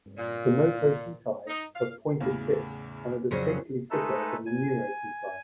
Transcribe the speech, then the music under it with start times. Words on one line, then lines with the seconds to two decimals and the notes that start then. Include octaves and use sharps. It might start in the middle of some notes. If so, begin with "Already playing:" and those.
The notochaetae have pointed tips and are distinctly thicker than the neurochaetae.
0.17 A#2
1.48 D#4
1.75 F5
2.20 E2 A2 C#3 C#5 F5
3.31 F2 C#3 F#3 F#4 C5 D5
3.91 G#3 A3 D#4 A4 B4 E6
4.46 G#5